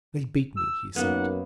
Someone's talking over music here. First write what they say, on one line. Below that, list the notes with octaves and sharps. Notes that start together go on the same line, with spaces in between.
"They beat me," he said.
E6
F#2 A#3 B3 D#4 F#5